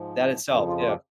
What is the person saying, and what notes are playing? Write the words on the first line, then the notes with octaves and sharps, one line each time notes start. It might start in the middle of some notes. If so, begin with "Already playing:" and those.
that itself. Yeah.
Already playing: G#2 F3
F2 C#3 F3 C#4
F4
F4
G4